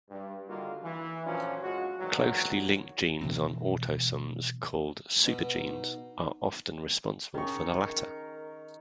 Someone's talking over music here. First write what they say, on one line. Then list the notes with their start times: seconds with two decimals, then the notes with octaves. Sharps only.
Closely linked genes on autosomes called "supergenes" are often responsible for the latter.
0.10 G2
0.48 D3 D#3 G3 A#3 F4 F#4
0.83 E3
1.25 A#2 F3 F#3 C#4 D4 F4
1.62 F#2 G#3 F4 F#4
1.99 G#1 A#2 D#3 E3 F#3
3.21 B2 E3 F#3 C4
5.26 B2
5.54 D#4
7.34 D#3 C#4 G#4 D#5 C#6
7.85 A#4